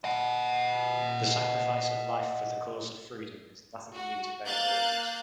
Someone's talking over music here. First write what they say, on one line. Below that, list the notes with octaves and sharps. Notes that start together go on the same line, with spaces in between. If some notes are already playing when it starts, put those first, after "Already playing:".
The sacrifice of life for the cause of freedom is nothing new to Bengalis.
D#5 F#5
F#4
A#3 F5 F#6 G6 A6